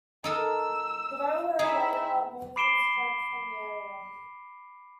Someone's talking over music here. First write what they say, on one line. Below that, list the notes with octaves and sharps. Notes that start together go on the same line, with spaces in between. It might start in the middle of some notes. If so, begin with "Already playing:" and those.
The railroad later removed its tracks from the area.
D#4 A4 A#4 E6
D#4 E4 G#4 E5
B5 D6 C7 D7 E7 G7